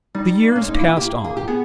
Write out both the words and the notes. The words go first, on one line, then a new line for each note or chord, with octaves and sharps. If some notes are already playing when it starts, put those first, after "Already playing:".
The years passed on.
G3 D#4
A#3
C#4
G#3
D#4
A#3
E4
G4
G#4
G4
B3 G#4